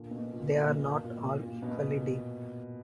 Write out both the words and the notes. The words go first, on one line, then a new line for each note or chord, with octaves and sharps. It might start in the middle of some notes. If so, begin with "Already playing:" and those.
They are not all equally deep.
Already playing: A#2 D3
B2
A#2
A#2
B2
A#2
A#2
A#2
B2